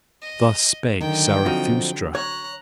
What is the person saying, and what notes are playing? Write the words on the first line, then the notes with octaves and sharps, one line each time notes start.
Thus spake Zarathustra.
D#5
D3 D#3 F#3 G5
F3 C4 D#4 F#4
C#5 A#5 F#6